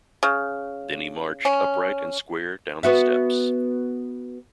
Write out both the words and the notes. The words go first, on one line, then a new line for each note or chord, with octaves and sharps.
Then he marched, upright and square, down the steps.
C#3
C#4
B3 F#4 E5